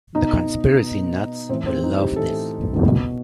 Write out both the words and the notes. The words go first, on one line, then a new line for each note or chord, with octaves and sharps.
The conspiracy nuts will love this.
B2 D#4
B2
A2 E3 C4
C4
D#4
G4
A2 E3 A4
B2